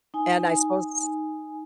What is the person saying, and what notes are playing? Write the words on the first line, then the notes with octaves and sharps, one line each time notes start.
and I suppose
D#4 G#5